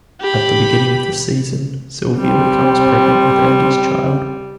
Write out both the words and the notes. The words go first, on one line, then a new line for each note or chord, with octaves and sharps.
At the beginning of the season, Sylvia becomes pregnant with Andy's child.
G4 B5
G3 C4